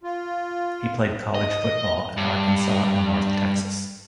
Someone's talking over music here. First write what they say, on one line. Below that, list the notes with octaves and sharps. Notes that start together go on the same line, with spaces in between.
He played college football at Arkansas and North Texas.
F4
D#5
G2